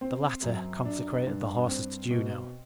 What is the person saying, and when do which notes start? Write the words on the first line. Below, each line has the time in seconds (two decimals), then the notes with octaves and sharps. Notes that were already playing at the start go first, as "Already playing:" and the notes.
The latter consecrated the horses to Juno.
0.01 C4
0.42 F#2
0.85 D4
1.27 G2
1.68 C4
2.11 B2